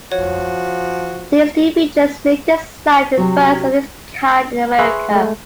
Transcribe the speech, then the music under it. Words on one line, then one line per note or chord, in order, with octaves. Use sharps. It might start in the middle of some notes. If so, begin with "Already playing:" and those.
These new features make this slide the first of its kind in America.
F3 F#4 C#5
C3 F#3
G#4 B4 E5 C6 C#6 F#6
G#3 A3